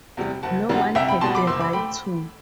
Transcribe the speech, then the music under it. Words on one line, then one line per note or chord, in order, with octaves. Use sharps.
No one had the right to.
E2 C3 G3
F#1 F#5 A5
F#2 D3 G3 B3
C2 E5 G5
G5 B5
B2 G3 B3 A5 C6
B5 D6
F#1 C6 E6
B5 D6
A3 G5 B5